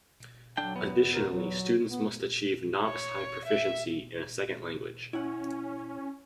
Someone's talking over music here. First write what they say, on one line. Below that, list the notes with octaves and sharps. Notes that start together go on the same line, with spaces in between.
Additionally, students must achieve "novice-high proficiency" in a second language.
D3 F#3 D4 G5
E2 B3
A#4
F#3
B3
C#5
E5
C#4 E4 F#5